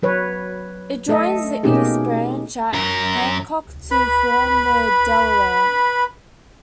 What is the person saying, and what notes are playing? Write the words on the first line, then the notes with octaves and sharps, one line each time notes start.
It joins the East Branch at Hancock to form the Delaware.
F#3 B4 C#5
A3 A4 D#5 E5
B2 A#3 C#4 D#4 G4 G#4
F#2 A#4
B4 B5